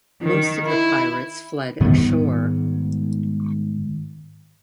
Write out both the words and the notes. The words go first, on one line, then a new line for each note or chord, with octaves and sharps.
Most of the pirates fled ashore.
D#3
E4
G#2 D#3 G3 B3